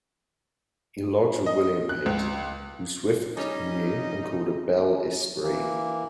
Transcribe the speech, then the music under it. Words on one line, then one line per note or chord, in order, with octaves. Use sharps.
He lodged with William Pate, whom Swift knew and called a ""bel esprit"".
D#5
F#6
C#2
G3 C#4 D#4 D#5
E3 A#3